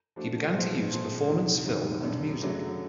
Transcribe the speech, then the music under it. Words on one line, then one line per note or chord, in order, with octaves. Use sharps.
He began to use performance, film and music.
F3 A3 D4 F#4
A#2 F3 G#3 B3
A#2 F3 G#3 C4
E2 C3 D#3
F#2 D#3 G3
F#2 D3 G3
F#2 C#3 F#3 A3 D4